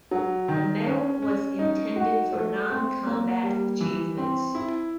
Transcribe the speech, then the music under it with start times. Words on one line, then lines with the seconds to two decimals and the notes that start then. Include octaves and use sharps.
The medal was intended for non-combat achievements.
0.11 F#3
0.48 D#3
0.85 C#4
1.22 C#4
1.59 D#4
1.96 F#4
2.33 A3
2.70 C4
3.07 A#3
3.43 G3
3.81 E3
4.17 C4
4.55 E4